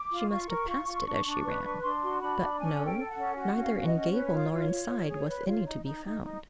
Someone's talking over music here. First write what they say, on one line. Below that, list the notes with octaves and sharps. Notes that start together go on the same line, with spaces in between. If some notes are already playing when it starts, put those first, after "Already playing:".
She must have passed it as she ran--but no--neither in gable nor in side was any to be found.
Already playing: D6
F4
F4 C#6
A#4
F4
F4
D4
D4
B4
D4
D4 C6
F#4
D4 B5
D4
C#4 G#5
A4
G5
A4
F#5
C#4
F#4 F#5
C#4
F5
F#4
D#5
C#4
B4 C#5
F4
F4
F4
F4
G#4
B4
F4
D#4
D#4
D#4
D#4